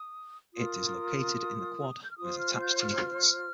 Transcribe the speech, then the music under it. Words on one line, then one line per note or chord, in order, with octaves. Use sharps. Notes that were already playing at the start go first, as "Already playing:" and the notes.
It is located in the Quad and is attached to Mac's.
Already playing: D#6
F4 A#4 D#6
G6
F6
F4 C5 D#6
F6
F6
G6
F6